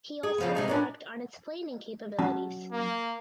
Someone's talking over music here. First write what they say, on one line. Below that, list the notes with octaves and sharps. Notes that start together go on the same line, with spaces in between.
He also remarked on its planing capabilities.
G#4
C#3 F3 B3
C3 G#3 D#4
A#2 C#4 D4
F#3 C#4 A5
A#3